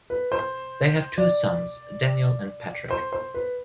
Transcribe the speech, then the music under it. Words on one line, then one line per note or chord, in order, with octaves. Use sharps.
They have two sons, Daniel and Patrick.
B4
C5
D5
C5
C5
B4